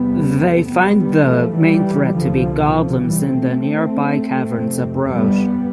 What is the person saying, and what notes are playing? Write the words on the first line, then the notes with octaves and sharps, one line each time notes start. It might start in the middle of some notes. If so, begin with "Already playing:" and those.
They find the main threat to be goblins in the nearby caverns of Broch.
Already playing: E2 C3 G3 B3
A3 C4
G3 B3
G3 B3
F3 A3
E3 G3
C2 B2 D3 F3
D3 F3
E3 G3
A3 C4
F2 C3
G3 B3